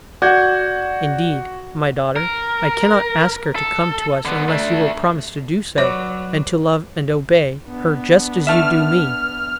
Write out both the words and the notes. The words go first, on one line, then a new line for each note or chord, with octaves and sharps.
Indeed, my daughter, I cannot ask her to come to us unless you will promise to do so, and to love and obey, her just as you do me.
F#4 D5 F#5 G6 G#6
A#4
A4
D3 B3
A3 D4
F#3 B4 C#5 D5
B3 D4
E5 A5 F6